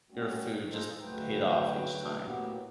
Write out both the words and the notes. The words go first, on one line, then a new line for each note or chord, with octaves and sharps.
your food just paid off each time.
G3 A3 C4 C#4 F#4
D#4 F4 G#4 A4 C5 D#5
D2 C#3 F#3 A3 B4 G5
A2 A#3 B3 F#4 G4